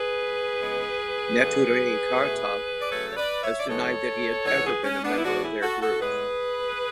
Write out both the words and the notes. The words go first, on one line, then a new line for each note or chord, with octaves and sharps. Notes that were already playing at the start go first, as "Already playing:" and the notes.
Neturei Karta has denied that he had ever been a member of their group.
Already playing: G#4 B4
C#3 G#3 B3
F#2 D3 A3
B2 A3
D5
C#3 F#3 A3 A4 C#5
C#5
B4 D5
C#5 E5
D5
G#2 E3 G#3 B3 A4 C#5
G#2 E3 B3 A4 C#5
G#4 B4
C#4
B3 D4
E4
A2 E3 B3 D4 F#4
E4 G#4
F#4 A4
F#4 A4
A2 G#3 B3 G#4 B4